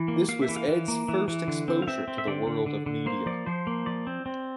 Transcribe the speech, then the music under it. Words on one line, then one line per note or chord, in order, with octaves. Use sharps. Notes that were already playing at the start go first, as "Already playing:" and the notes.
This was Ed's first exposure to the world of media.
Already playing: E3
A#3
A#3 F5
E5
E3
F5
E3
A#3
E3
E3
D3
C4
F5
C4 E5
C4
E5
D3 D5
D3
D3
D3
A#3 C5
F3 D5
F3 C5
A#3
F3 D5
C4
C4